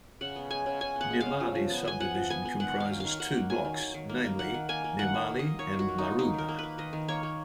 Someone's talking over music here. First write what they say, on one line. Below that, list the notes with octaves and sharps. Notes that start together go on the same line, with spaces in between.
Nirmali sub-division comprises two blocks, namely, Nirmali and Maruna.
C#3 F#5
B3
G#3 G#5
C#3
C#3 G#5
B3 F#5
G#3
F5
C#3
F3
F3
B3
B3 G#5
F3 F#5
F3
B3 G#5
B3
D#3 F#5
A#3 F5
F#3
D#3 F5
D#3 F#5
A#3
F#3 G#5
D#3
D#3
D#3
A#3
A#3
D#3 F#5
D#3
A#3 G#5
A#3
D#3 F#5
D#3
A#3
A#3 D#5
D#3 C#5
D#3
F#4
A#3
D#4
A#3
D#3 D#4
D#3 A#4
A#3
A#3 B4
D#3 D#5
D#3
A#3 C#5
A#3